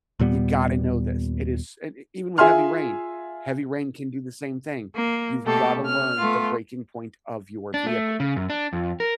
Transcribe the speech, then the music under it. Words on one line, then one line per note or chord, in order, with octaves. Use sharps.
You gotta know this, it is s eh, even with heavy rain, heavy rain can do the same thing, you've gotta learn the breaking point of your vehicle."
D#2 A#2 G3 B3
F4 G#4 E5 G#5 C6 F6
A#3
B2 A3 A#3 G4 A4 A5
C#4 F6
A3 B3 F4
D4
A3
C#3
F#2
D4
F2
A#4